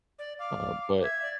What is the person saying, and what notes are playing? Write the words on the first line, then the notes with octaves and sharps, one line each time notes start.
uh, but
D5
F5 D6
E5 G#6
D5